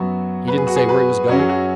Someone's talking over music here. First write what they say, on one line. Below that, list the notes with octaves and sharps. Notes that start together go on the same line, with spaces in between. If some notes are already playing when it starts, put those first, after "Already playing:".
"He didn't say where he was going?"
Already playing: F#2 F#3 B3 F#4
B4
G#4
F#4
G#4
B4
F#2 F#3 C#4 F#4
G#4
F#4